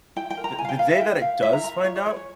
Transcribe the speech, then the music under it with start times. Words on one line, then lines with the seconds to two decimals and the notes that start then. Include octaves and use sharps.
The the day that it does find out,
0.16 E4 G5
0.30 G5
0.37 A#4
0.44 A#5
0.58 E4 G#5
0.65 F5
0.69 G5
0.79 A#4 F5
0.91 E5
1.00 E4 G5
1.22 A#4 F5
1.42 E4 E5
1.53 A#5
1.64 A#4 A#5
1.84 F4 C#5
1.96 C#5
2.06 G#4 C#5
2.16 C#5